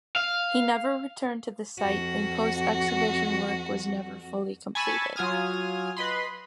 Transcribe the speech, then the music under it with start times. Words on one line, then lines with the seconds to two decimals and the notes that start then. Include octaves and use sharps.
He never returned to the site and post-excavation work was never fully completed.
0.16 F5
1.79 F2 F#4
4.75 G#5 A5 B5 C#6 E6 A6
5.16 F#3 F4 G#5 D#6 F6
5.97 B4 D#5 B5 C6